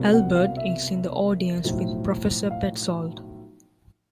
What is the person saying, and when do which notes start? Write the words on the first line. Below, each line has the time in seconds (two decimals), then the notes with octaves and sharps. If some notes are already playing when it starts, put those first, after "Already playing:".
Albert is in the audience with Professor Petzold.
Already playing: C2 B2
0.14 F#5
0.35 F5
0.57 E5
1.64 B1 A2 F3
2.51 F5